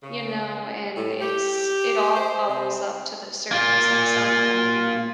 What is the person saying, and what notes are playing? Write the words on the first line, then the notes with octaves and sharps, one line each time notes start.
you know, and it's it all bubbles up to the surface at some point and
C#3
A2
G4
C5
C3
A#3 F4